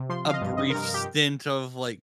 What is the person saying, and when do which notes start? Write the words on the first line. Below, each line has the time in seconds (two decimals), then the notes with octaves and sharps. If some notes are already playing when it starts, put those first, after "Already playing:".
a brief stint of, like,
Already playing: C3
0.09 F3 C6
0.25 F3 F5
0.33 D#5
0.41 G2
0.57 G2 D#5
0.70 A#4
0.74 G2
0.82 A#4
0.94 G4